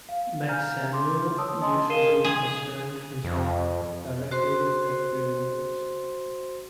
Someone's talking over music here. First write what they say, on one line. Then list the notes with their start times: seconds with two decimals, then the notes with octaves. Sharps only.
Max Samuel usually concerned himself directly with factory matters.
0.09 F5
0.49 F5 G#5 A#5 F6 G6
0.93 C6 D6
1.38 C#5 A5 D#6 E6
1.62 D#5 G#5 C6
1.90 A#4 F5 C7 D#7 E7 G7
2.24 G#4
3.24 F2
4.31 F#4 C5 C6